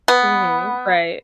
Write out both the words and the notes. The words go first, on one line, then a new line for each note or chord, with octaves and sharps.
Mhm, right.
B3